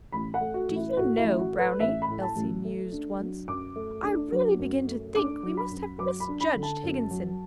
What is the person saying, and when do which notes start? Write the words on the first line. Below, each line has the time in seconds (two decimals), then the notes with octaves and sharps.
'Do you know, Brownie,' Elsie mused once, 'I really begin to think we must have misjudged Higginson.
0.12 A1 B5
0.34 F#5
0.41 A3
0.54 F#4
0.69 A1
0.76 E4
0.97 A2 F#4
1.18 E4
1.24 A1
1.39 F#4
1.53 A3
1.59 B4
1.80 A1 E5
2.02 B5
2.08 A2
2.22 A5
2.36 A1
2.65 A3
2.92 D4
3.20 F#3
3.48 F#2 D6
3.76 A3
4.03 D4
4.32 F#3
4.59 F#2
4.87 A3
5.15 D4 D6
5.43 F#3
5.57 B5
5.71 F#2
5.99 F#3 D6
6.20 B5
6.28 D4
6.41 B5
6.55 D3
6.63 A5
6.83 F#2
7.11 F#3